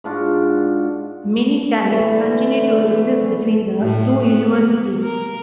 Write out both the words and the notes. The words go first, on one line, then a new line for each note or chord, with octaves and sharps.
Many ties continue to exist between the two universities.
G#2 D4 F4 F#4
D3 E3 A3
A2
B3
A#4